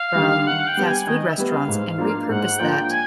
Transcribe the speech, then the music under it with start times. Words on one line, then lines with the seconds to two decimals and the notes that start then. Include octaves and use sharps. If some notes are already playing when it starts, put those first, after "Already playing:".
from fast food restaurants and repurpose that
Already playing: F5
0.15 D3 G3
0.47 D#3 F#5
0.67 G5
0.77 G3 B3
0.87 G#5
1.07 D#3 D#5
1.28 E5
1.38 G3 B3
1.48 F5
1.68 G#2
1.98 F3 A#3 D4 F4
2.29 G#2 F#5
2.59 F3 A#3 D4 F4 G5
2.90 G#5